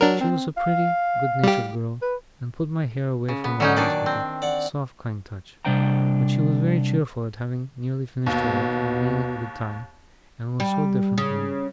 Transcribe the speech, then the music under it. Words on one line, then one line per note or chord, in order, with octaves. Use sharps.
She was a pretty, good-natured girl, and put my hair away from my eyes with a soft, kind touch; but she was very cheerful at having nearly finished her work and being in good time, and was so different from me!
F#3 D4 A#4
C4
F5
G3 G4
B4
C#3
B3
D3 F#3 C#4 D#4
A#2 D#3 D4 D5
C4
D5 F#5
C3 G3 D4 C5 G5 A#5
D#2 B2
G3
C#3